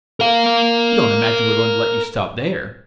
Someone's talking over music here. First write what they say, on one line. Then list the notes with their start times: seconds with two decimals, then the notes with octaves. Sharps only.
"You don't imagine we're going to let you stop there?"
0.20 A#4 F5